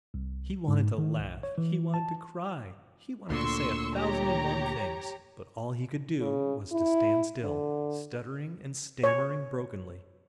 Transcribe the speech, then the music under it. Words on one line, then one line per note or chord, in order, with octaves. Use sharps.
He wanted to laugh, he wanted to cry, he wanted to say a thousand and one things, but all he could do was to stand still, stuttering and stammering brokenly.
C2
G#2
D#3
B1
C#5
E3
A5
D2 A#2 D3 C6 C#6 E6
G4 C#5 A#5
C#3
E4
D3
C#5